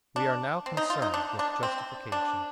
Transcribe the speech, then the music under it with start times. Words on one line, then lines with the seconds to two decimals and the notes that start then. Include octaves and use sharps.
We are now concerned with justification.
0.16 D4
0.66 C4
0.77 D#4
0.90 F4
1.02 D#4
1.14 D4
1.39 D4
1.63 C4
2.12 D4